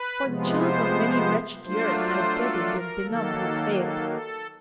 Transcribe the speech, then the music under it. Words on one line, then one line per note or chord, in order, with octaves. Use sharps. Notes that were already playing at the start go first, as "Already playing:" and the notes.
For the chills of many wretched years had deadened and benumbed his faith.
Already playing: B4
C3 F3 G#3 B3
C5
F#3 A3 D4 F4 C5
C5
A4
A#4
D#3 F#3 A#3 A4
A4
A4